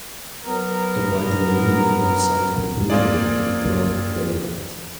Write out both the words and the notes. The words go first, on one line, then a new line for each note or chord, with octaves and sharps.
A white woman looking outside her window in broad daylight.
F#3 B3 A#4
A#3 C4 F4 G#4 D5